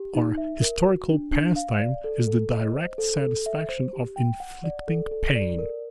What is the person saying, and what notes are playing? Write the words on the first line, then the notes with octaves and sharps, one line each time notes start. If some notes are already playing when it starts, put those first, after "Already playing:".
Our historical pastime is the direct satisfaction of inflicting pain.
Already playing: G4
D#4
E5
A#4
F#4
D4
D4
F5
D5
A4
A4
D#5
C5
A4
A4
E5
C5
G4
G5
F#5
D5
A4
A4
D5
A#4